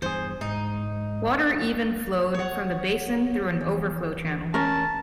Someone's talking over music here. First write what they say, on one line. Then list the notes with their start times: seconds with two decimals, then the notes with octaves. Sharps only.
Water even flowed from the basin through an overflow channel.
0.02 E2 G2 G#4 C5
0.41 G#2 D#4
2.34 C#5 F#5
3.61 E2
4.54 C#4 A#4 A5